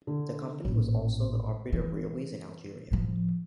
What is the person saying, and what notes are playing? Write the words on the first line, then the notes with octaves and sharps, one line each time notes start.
The company was also the operator of railways in Algeria.
D3
A1 A#2
E3
A2 F3